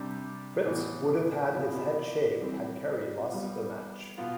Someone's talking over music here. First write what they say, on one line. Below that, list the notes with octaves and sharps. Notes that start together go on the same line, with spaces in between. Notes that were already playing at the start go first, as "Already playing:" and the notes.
Fritz would have had his head shaved had Kerry lost the match.
Already playing: C3 G3 D4 G4
A2 E3 B3
C3 F3 B3 E4 G4
E3 G3 C4
G3 B3 F4
B2 B3 F4